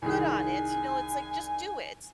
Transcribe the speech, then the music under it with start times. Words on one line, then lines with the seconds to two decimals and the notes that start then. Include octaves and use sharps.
good on it, you know, it's like just do it,
0.02 C2 D#3 G#4 G#5